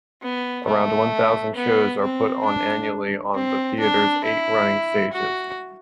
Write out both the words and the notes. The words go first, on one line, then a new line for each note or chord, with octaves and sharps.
Around one thousand shows are put on annually on the theatre's eight running stages.
B3
A3
B3
C4
D4
C4
D4
E4
F#4